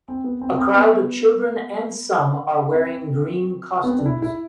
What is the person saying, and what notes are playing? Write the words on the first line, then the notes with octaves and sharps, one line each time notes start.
A crowd of children and some are wearing green costumes.
C4
B3
C4
C4
B3
C4
B3
C4
D4
E4
E4